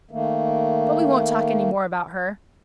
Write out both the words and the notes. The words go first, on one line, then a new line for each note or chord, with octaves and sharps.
But we won't talk any more about her.
D#3 A3 A#3